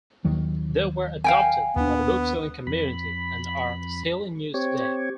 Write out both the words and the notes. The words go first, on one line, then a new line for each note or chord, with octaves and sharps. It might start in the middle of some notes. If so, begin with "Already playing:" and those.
They were adopted by the bookselling community and are still in use today.
D#2 D#3 F#3
F5 G5 G#5
D#2 B3 D4
F2 B5
C4 G4 C#5